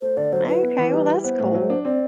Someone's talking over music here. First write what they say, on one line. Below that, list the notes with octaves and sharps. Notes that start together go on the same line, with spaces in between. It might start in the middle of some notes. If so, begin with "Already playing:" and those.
Okay, well, that's cool.
A3 C5
D3 D5
F#3 C5
E4 B4
B3
E3
G3
E4
B3 C5
A2
F#3
D4
C4 D5